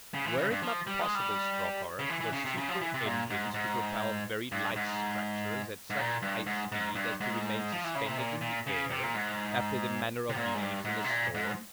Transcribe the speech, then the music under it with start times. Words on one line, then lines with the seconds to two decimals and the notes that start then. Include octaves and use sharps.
Were it not possible, Strokor, for suitable engines to propel very light structures at such high speed as to remain suspended in the air, after the manner of leaves in a storm?
0.14 C#3
0.25 E3
0.38 C#3
0.50 G2
0.62 F3
0.87 G3
1.00 G#3
1.15 G3
1.99 C#3
2.09 E3
2.20 E3
2.33 C#3
2.45 C3
2.57 C#3
2.69 F3
2.81 E3
2.94 C3
3.06 A#2
3.30 G#2
3.54 G#2
4.52 G2
4.76 G#2
5.90 G#2
5.99 A#2
6.22 G2
6.46 G#2
6.72 G#2
6.95 G2
7.20 G#2
7.72 F3
7.84 E3
7.95 C#3
8.06 C3
8.18 A#2
8.41 A#2
8.67 C#3
8.91 C3
9.03 A#2
9.14 G#2
10.29 C3
10.37 A#2
10.54 G#2
10.61 G2
10.85 G#2
11.04 C3
11.09 A#2
11.35 G#2